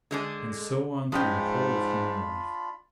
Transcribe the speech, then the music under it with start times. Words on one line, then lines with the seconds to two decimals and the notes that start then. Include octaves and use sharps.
And so on through the whole of human life.
0.11 D3 G#3 D4
1.12 G#2 F3 C#4 D4 F4 G5 B5